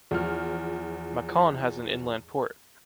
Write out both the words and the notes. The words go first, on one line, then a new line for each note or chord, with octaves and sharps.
Mâcon has an inland port.
E2 F3 F6